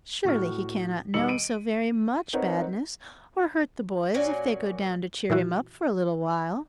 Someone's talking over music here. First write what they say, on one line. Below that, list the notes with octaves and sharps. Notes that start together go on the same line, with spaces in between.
"Surely he cannot know so very much badness or hurt the boys if they go down to cheer him up for a little while."
A2 F#4 F6
B2 D#3 G3 E6 C#7 F#7
D7 D#7
C4 D#4 A#4 B4 C#5 F#5
A#2 C#4 F#4 G#5
A#2 E3 E4 F#4